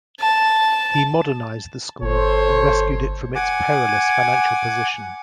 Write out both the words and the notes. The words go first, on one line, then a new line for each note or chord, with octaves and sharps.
He modernised the school and rescued it from its perilous financial position.
A5
G1 A4 C5 C#5
F#5 G#5 D6